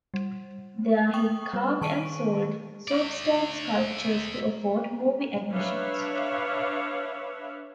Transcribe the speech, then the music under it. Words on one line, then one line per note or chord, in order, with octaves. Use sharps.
There he carved and sold soapstone sculptures to afford movie admissions.
G3
G5 C#6 D#6
G3 B4
D#3 A5 C#6 D7 D#7
A3 D5
D4 B4 C#5 E5 F5